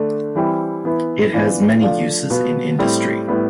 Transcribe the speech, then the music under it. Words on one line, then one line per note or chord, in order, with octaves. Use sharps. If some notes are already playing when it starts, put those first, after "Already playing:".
It has many uses in industry.
Already playing: D3 A3 D4
E3 G3 C4 E4
E3 B3 E4
E3 B3 D4 F4
F3 A3 D4 F4
B2 B3 F4
A2 G3 C4 E4
A2 G3 B3 E4